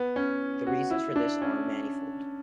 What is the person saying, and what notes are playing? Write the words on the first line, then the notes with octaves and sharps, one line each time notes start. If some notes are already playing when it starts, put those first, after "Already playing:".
The reasons for this are manifold.
Already playing: B3
C#4
F#4
E4
D4
C#4